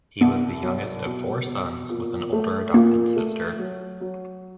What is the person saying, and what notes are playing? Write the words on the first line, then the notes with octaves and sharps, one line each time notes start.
He was the youngest of four sons, with an older adopted sister.
C2 B3
F#3
B2
B2
A#2
A3
A#2 A#3
A3
F#3
F#3